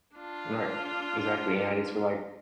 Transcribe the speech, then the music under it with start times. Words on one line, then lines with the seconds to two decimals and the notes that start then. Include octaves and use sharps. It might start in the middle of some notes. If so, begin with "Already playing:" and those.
Right, e exactly, and I just feel, like
0.16 D4 F4